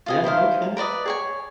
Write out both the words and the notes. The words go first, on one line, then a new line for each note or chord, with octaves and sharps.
Yeah, okay,
F4 D#5 G#5
D#4 E4 C5 F5
A#4 B4 D5 D#5
G#4 C#5 G#5